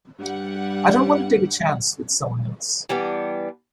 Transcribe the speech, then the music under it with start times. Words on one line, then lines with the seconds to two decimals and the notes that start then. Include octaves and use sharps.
I don't want to take a chance with someone else.
0.19 G2 G3 F#5
2.89 E3 G3 B3 D4